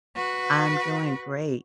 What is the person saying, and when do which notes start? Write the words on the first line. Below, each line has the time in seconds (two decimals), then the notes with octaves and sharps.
I'm doing great.
0.16 F#4 B4